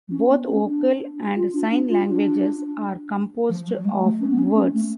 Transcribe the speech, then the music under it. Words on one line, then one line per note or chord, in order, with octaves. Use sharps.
Both vocal and sign languages are composed of words.
C#4
B3
C#4
D4
F4
D4
D4
F4
D4
F3
F#3
F#3
G#3
A3
C#4
B3
C#4
C#4
A3